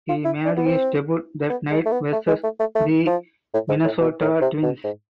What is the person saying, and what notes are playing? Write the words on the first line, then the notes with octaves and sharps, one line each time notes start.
He made his debut that night versus the Minnesota Twins.
F4
E4
D4
B3
C4
B3
G#3
A3
B3
A3
G#3
A3
A3
A3
F3
A2
G#2
A2
B2
A2
C3
B2
G#2